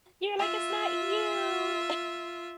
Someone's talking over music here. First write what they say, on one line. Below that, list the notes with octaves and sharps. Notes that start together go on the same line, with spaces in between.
you're like, "It's not you."
F4 E5